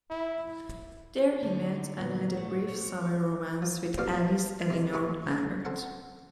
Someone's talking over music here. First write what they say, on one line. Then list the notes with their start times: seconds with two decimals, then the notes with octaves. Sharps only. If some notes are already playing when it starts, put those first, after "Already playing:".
There he met and had a brief summer romance with Alice Elinor Lambert.
0.10 E4
1.43 D3 D#4 A5
2.00 A#2 F#3 B3
2.35 G#2 A3
2.69 C4 C#5
3.62 F3
3.98 A#1 F2 B2 G3 G4 F5
4.70 C3 G#3
4.93 G#2 G4 G#5 B5 C#6
5.65 C4 A4 F#5